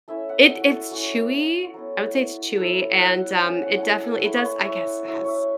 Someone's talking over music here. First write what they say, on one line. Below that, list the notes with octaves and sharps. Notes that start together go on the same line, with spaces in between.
It it's chewy. I would say it's chewy, and, um, it definitely it does I guess it has
A3 C#4 E4 E5
F#5
F#4
A4
A3 C#4 E4 F#4
A4
F#3 B3 E4
F#3 B3 E4 A4
F#5
A3 C#4 E4 A5
F#5
F#5 A5
A4
A3 E4 B4
C#5
B4
C#5 E5
F#3 A3 E4 E5
C#5 E5